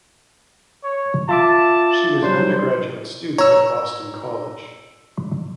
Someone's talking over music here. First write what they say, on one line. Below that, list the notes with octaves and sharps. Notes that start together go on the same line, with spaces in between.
She was an undergraduate student at Boston College.
C#5
F4 E5 A5 D6
F#3 G3 D4 C5
C#5 A#5 E6